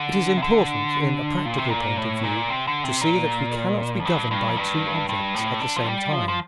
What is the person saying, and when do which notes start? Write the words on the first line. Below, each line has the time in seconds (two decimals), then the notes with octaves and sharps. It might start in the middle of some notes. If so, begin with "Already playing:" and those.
It is important, in a practical point of view, to see that we cannot be governed by two objects at the same time.
Already playing: D3
0.37 C3
0.42 D3
1.46 A#2
1.58 C3
1.70 A#2
1.98 A2
2.23 A#2
2.50 C3
2.67 D3
2.84 C3
3.01 A#2
4.00 F2
4.05 G2
4.31 G2
4.49 F2
4.57 G2
5.09 G2
5.35 A2
5.60 D3
5.76 F3
5.87 G3
6.12 F3
6.28 F3